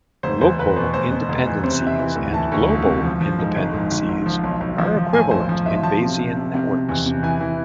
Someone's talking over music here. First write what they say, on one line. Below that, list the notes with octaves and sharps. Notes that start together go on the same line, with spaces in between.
Local independences and global independences are equivalent in Bayesian networks.
F1 C5
E2 C5
F1 B4
B2 C5
F1 C5
B2
F1
E2
C3 C5
C3
E5
E3
D2
E3 A5
D2
E1
C3
F3
F3
G#2
G#1
G#2
G#1
G#1
F3
B1
B1
F3
F3
A2 G#5
B1 C5
F3
B1 E5
F3 A5
C3
C3
C3
C3
C3
E2
C3
E3 G#5
E3